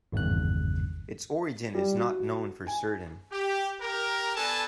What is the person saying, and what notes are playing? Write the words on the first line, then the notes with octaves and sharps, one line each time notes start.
Its origin is not known for certain.
G#1 E2 G2 C#3 F#6
G3
F#4
G#5
G4
G4 A#4
B3 D4 A4 G#5 A5